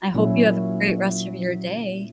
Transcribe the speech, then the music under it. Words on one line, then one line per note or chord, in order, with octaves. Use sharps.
I hope you have a great rest of your day.
A#2 F#3 C#4 E4